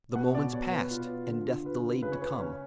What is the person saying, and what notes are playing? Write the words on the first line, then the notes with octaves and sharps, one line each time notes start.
The moments passed, and death delayed to come.
B2 F#5
D5
B2 C#5
B4
F4
D3
F4 B4
C#3 B4
C#5
B4
C#4 C#5